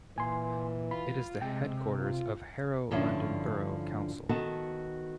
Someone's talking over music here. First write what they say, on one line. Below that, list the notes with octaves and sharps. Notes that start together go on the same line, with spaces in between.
It is the headquarters of Harrow London Borough Council.
A#2 E3 G#5 C6
F4 B5
C3 G#3 G5
F4
G2 D3 F3 C#4 E4
D#3 B3 F#4 A4 A5